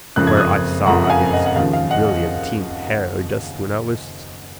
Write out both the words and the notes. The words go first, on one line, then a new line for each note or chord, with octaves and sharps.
Where I saw his brillantined hair just when I was.
F#1 F2 C#3 F3 F#6
G#6
D#6 F#6
F#1 F2 C#3 F3 F#5 A#5
F#5
F5 G#5
D#5 F#5
F#5
D#2 C#3 F3 F5
F5
D#5 F#5
D#5